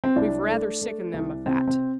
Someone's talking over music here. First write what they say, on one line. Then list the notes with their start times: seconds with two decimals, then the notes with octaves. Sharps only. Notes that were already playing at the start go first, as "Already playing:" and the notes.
We've rather sickened them of that.
0.04 C4
0.16 C2 D4
0.49 A3
0.81 A3
1.14 C2
1.46 C3 C4
1.68 C4